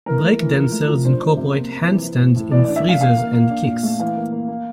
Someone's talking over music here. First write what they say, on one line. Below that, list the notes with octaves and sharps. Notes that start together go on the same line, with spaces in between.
Breakdancers incorporate handstands in freezes and kicks.
E3 A#4
A3
E3
F3
A3
F3
D4 C5
D4
C3
A#3
A#3
E3
E3
A2
A2
E3 D5
D4 D5
E5
E3 F5
A#3 F5
A#3
A#3
D4
A#2
A3
E3 F5
A#3
A#3
A#3